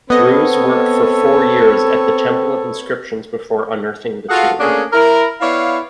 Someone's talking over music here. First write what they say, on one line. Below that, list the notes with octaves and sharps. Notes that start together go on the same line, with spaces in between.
Ruz worked for four years at the Temple of Inscriptions before unearthing the tomb.
B3 C4 A4 B4 C#5 D#5
F4 F#4 G#4 A4 F5 F#5
A3 A#3 C#4 D4 G#4
E4 A#4
B3 E4 C#5 D5 F5